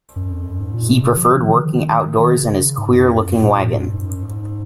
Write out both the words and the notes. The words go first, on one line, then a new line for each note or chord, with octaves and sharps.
He preferred working outdoors in his queer-looking wagon.
F#2
F2
F#2
G#2
A#2
C3
C#3
F3
F3
D#3
C#3
D#3
D#3
C#3
G#2
F#2
F2
F#2
A#2
G#2
F#2
G#2
F#2
G#2